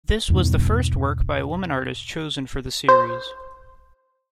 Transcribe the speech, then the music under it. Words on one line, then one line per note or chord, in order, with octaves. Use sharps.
This was the first work by a woman artist chosen for the series.
E2 G2 B2 D#3
C5